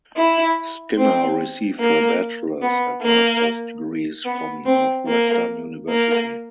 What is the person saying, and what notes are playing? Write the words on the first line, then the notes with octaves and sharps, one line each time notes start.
Skinner received her Bachelor's and master's degrees from Northwestern University.
E4
C4
A#3
B3
A#3
B3
C4
A#3
A#3